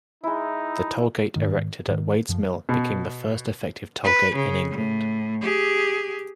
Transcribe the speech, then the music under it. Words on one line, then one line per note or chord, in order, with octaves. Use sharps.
The toll-gate erected at Wade's Mill became the first effective toll-gate in England.
G#3 D#4 E4
G#2 D#3
G#2 D#3
F#2 F3
B2
B4
C#3
A2
G4 G#4